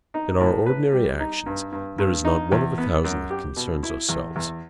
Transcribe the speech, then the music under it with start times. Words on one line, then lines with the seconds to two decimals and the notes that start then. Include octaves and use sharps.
In our ordinary actions there is not one of a thousand that concerns ourselves.
0.14 D#4
0.40 A2
0.66 B4
0.93 G3
1.20 D#4
1.46 G2
1.72 G2
1.98 G2
2.25 D#4
2.52 E2
2.78 B3
3.04 F#2
3.30 G4
3.56 B2
3.83 E4
4.09 E2
4.36 E2